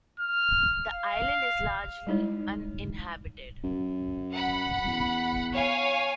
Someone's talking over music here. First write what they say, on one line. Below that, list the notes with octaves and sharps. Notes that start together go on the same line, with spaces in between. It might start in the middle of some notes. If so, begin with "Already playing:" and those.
The island is largely uninhabited.
F6
F5
G3 G#3 D#4 E4 C#5
F#2
F#5 B5
E2
C#5 F5 G#5